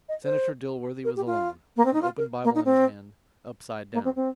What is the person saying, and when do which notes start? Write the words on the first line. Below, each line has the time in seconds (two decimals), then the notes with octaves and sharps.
Senator Dilworthy was alone--with an open Bible in his hand, upside down.
0.09 D#5
0.24 C5
1.04 A#4
1.16 G4
1.26 F4
1.76 A#3
1.85 C4
1.93 D#4
2.01 F4
2.17 A#4
2.44 A#3
2.55 D#4
2.65 C4
3.93 A#3
4.04 C4
4.16 C4